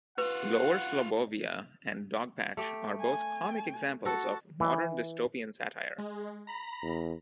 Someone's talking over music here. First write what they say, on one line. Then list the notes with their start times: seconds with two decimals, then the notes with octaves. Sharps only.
Lower Slobbovia and Dogpatch are both comic examples of modern dystopian satire.
0.18 F4 F#4 B4 F#5
2.57 A3 G4
3.00 G#5
4.05 F#4 A4 A5
4.60 E3
5.98 G#3
6.47 A#5 B5 A#6
6.83 E2